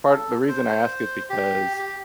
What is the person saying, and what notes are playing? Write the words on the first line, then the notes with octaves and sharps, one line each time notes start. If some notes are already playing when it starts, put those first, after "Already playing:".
Part the reason I ask is because
A4
C5
G4
G4